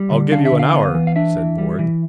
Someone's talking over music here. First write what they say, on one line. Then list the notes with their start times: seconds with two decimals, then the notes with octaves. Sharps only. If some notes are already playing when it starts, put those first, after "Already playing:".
"I'll give you an hour," said Borg.
Already playing: G3
0.11 D3
0.32 D4 F5
0.45 E5
0.52 D3
0.59 F5
0.73 B3
0.95 E3
1.07 F5
1.16 D4 E5
1.38 E3
1.58 G3
1.79 E3